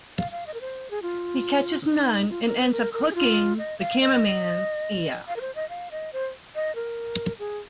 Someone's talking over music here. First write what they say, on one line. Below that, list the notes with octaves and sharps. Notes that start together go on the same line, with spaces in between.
He catches none and ends up hooking the cameraman's ear.
F5
F5
D#5
A#4
C5
G#4
F4
D#4
F4
A#4
C5
A#4
A#4
G#4
F4
D#5
F5
D#5
F5
A#4
C5
D#5
F5
D#5
C5
D#5
A#4
G#4